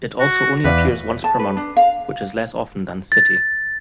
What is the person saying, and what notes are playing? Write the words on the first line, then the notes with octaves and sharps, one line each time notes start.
It also only appears once per month, which is less often than "City".
F#4
E2 B4 D5 F5
A5
B4
D4
F5
A6